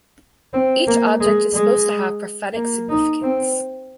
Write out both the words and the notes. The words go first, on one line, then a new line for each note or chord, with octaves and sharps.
Each object is supposed to have a prophetic significance.
C4
A#3
G#3
G#3
A#3
D#4
C4